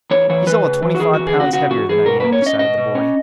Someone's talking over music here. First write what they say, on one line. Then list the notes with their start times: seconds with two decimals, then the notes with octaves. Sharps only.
"He's all of twenty-five pounds heavier than I am," decided the boy.
0.11 E2 C#5
0.29 E3 C#5
0.47 E3 B4
0.64 C#3
0.82 E3
0.95 F#4
1.00 E3 G#4
1.13 E2 F#4
1.27 G#4
1.35 C#3
1.40 F#4
1.53 C#3 F#4
1.70 E2 F#4
1.89 E2 G#4
2.06 B2 A#4
2.20 A#3 B4
2.32 C#5
2.42 C#4 D#5
2.59 B2 D#5
2.78 B2
2.95 C#4